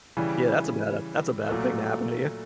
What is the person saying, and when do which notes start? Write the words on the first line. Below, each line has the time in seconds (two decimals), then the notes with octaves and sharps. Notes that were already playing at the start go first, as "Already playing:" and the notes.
Yeah, that's a bad that's a bad thing to happen to you.
0.17 C#3 E3 G3
1.49 A#2 F#3 A3